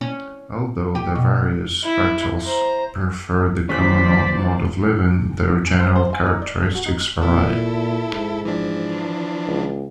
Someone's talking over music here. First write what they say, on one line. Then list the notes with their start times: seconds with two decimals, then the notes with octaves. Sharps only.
Although the various Artels prefer the communal mode of living, their general characteristics vary.
0.01 C#4
0.95 G4
1.15 B2
1.83 E4
2.43 C5 A#5
3.69 D#2 E3 F3 G3 C#4 C5 D5 B6
5.79 C5
5.96 C5
6.13 G#5
6.26 D#4
6.42 D5
6.62 A4
6.74 F#4
6.86 D#4
7.22 A#2 E4 A4
8.11 G#2
8.45 E3 F3 D4
9.47 C#2